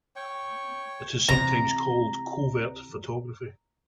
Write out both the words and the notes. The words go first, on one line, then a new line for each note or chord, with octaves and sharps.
It is sometimes called covert photography.
C#5 G5 C#6
C3 E3 A#5